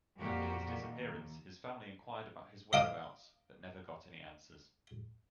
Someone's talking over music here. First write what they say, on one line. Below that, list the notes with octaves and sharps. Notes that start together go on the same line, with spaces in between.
After his disappearance, his family inquired about his whereabouts but never got any answers.
F2 A#2 A#3 F#4 G4
D#2
D#5 F5 D6 D#6